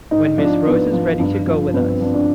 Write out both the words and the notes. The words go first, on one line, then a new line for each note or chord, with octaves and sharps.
"When Miss Rose is ready to go with us."
G#2 D#4
F3 D4
G#2 B3
F3
G2
F3
G2 B3
C4
F3 D4
D4